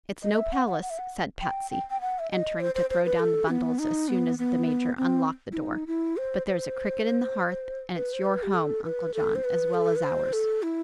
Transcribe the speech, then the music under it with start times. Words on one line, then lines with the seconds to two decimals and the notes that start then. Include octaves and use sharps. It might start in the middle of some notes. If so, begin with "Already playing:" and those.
"It's no palace," said Patsy, entering to throw down the bundles as soon as the Major unlocked the door, "but there's a cricket in the hearth, and it's your home, Uncle John, as well as ours."
0.23 D#5
0.38 E5
0.52 F#5
0.67 F#5
0.82 F#5
0.90 E5
0.98 F#5
1.41 G5
1.71 G5
1.90 G5
2.01 F#5
2.19 E5
2.31 D#5
2.60 C5
2.75 C5
2.90 C5
3.05 B4
3.19 A4
3.49 B3
3.79 D#4
4.09 B3
4.39 B3
4.97 C4
5.52 E4
5.58 D#4
5.87 E4
6.17 C5
6.47 C5
7.95 B4
8.13 C5
8.25 B4
8.43 G4
8.54 A4
8.84 B4
9.15 A4
9.35 C5
9.44 B4
9.74 A4
9.96 B4
10.03 C5
10.33 A4
10.63 E4